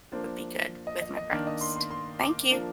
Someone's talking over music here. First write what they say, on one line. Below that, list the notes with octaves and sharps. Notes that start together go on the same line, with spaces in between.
would be good with my breakfast. Thank you.
F3 A#3 D4 C5
D#5
D#5
D#5
D#3 A#3 D4 A#4
D#5
C6
C6
C6
D6
F3 A#3 D4